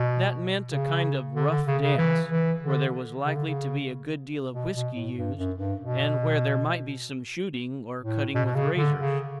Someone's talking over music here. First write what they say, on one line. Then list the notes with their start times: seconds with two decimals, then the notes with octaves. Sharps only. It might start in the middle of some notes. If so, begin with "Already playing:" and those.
That meant a kind of rough dance, where there was likely to be a good deal of whiskey used, and where there might be some shooting or cutting with razors.
Already playing: B2
0.72 C#3
1.36 D3
1.50 D3
1.67 C#3
1.83 C#3
1.98 E3
2.30 E3
2.63 D3
3.25 C#3
3.36 D3
3.46 C#3
4.53 B2
4.75 B2
4.95 A2
5.16 G2
5.37 F#2
5.58 G2
5.81 B2
8.02 A2
8.35 B2
8.45 B2
8.55 C#3
8.77 D3
8.98 C#3